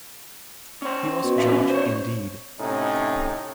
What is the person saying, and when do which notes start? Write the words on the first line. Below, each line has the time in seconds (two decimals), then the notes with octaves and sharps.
He was George indeed.
0.82 C#4 C5
1.24 B2
1.38 E3 F3 E5
1.52 C#4 F#4
1.69 C5 C#5
2.60 A2 C3 C#4 D#4